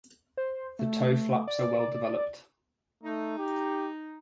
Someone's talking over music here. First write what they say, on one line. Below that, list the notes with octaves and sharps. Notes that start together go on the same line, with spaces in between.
The toe flaps are well developed.
C5
A3
D5
A3 D#4
G4